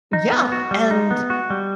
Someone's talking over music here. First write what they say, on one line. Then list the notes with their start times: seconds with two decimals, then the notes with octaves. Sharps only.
Yeah, and
0.13 D#4
0.33 B3
0.52 F#4
0.71 G3
0.91 D#4
1.11 B3
1.30 F#4
1.50 G3